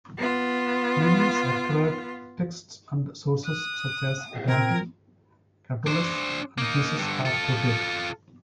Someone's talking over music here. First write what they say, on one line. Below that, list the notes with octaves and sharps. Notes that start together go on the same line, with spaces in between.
Many sacred texts and sources such as Dante, Catullus, and Jesus are quoted.
B3 F4
D#6 F#6
A#2 C4 A#4 G#6
D4 C5
A#3 D#4
G2 D3
F4 A4